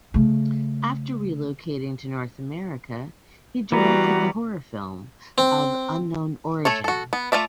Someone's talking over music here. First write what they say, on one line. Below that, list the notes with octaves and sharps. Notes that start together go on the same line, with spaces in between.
After relocating to North America, he directed the horror film "Of Unknown Origin".
C#3 A3
E3 G3 B3 F#4 D5 A#5
C4
A3 A4 C#5
F#4 A4
B3
A3 F4 D5 E5